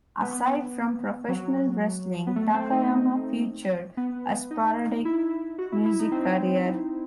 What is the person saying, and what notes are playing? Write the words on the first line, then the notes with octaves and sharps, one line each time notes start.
Aside from professional wrestling, Takayama featured a sporadic music career.
B3
F#3
B3
A3
C4
D#4
B3
D#4
E4
F#4
E4
E4
D#4
C4